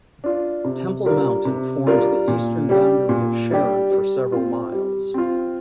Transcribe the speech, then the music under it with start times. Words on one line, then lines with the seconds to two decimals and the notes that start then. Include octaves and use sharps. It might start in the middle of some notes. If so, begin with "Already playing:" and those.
Temple Mountain forms the eastern boundary of Sharon for several miles.
0.24 D4 F4
0.65 C3
1.05 G3 D4 F4 A#4
1.45 C3
1.87 G3 D4 F4 A#4
2.28 A#2
2.69 G3 D4 G4
3.09 A#2
3.51 G3 D4 G4
3.91 G3
4.32 C4 F4
4.72 G3
5.14 C4 F4